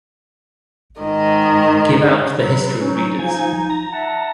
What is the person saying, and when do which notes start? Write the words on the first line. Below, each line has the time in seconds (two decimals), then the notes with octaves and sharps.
Give out the history readers.
1.00 G#2 D#3 D#5
2.38 F#3 B4
2.81 F#3 C#4 D#4
3.19 F3 D#4 G#5
3.70 A#5
3.93 E5 F#5 A5